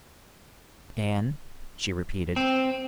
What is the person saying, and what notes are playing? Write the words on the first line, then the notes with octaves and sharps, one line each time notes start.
"Dan?" she repeated.
C4